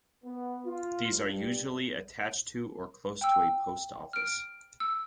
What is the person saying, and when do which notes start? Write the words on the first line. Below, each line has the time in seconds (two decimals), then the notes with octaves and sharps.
These are usually attached to, or close to a post office.
0.24 B3
0.66 F4
1.10 G2
3.21 G5 E6
4.13 F6 D7
4.80 E6